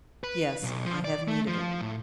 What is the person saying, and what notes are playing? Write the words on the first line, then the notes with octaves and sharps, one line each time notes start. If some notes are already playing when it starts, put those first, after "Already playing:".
"Yes, I have need of it."
B4
B1
F3
D5
A3
F3
A2